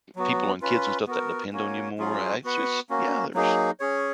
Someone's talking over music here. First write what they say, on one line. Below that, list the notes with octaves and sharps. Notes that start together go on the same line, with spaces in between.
people and kids and stuff that depend on you more, I it's just, yeah, there's
F#3 B3 F#4
C#4 F4 B4
B3 F#4 A#4
A#3 C#4 F#4 C#5
F#3 C#4 F4 G#4
B3 F#4 B4 F#5
A#3 C#4 F#4
F#3 A#3 D#4 G#4
C#4 G#4 C#5